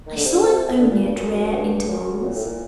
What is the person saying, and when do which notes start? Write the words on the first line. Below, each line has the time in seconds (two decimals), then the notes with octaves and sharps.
I saw him only at rare intervals.
0.07 D#3
0.16 D3
0.25 C3
0.34 D3
0.43 C3
0.68 C3
0.79 D3
0.91 A#2
1.03 G2
1.15 F#2
1.52 G2
1.88 F#2
2.24 A#2
2.34 A2
2.45 A#2